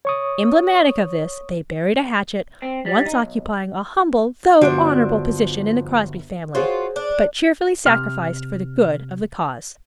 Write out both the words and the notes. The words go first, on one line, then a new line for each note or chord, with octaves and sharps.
Emblematic of this they buried a hatchet, once occupying a humble though honorable position in the Crosby family, but cheerfully sacrificed for the good of the cause.
C#5 C#6 D#6
C4
G3
D#4
B1
G1 F3 D4 F#4 E5 D7
F4 F#4 G#4 C5 C#5
D4
C3 F6